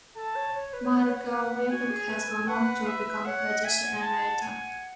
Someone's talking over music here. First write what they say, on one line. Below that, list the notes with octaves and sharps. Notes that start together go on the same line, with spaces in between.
Mark Weinberg has gone on to become a producer and writer.
A4 A5
C#5
C#5
B4
C#5
B4 F#5
C#5
B4
F#4 G#5
G#4
B4
A4
B4 F#5
E5
C#5 F#5
D#5
E5 G#5
F#5
A5
G#5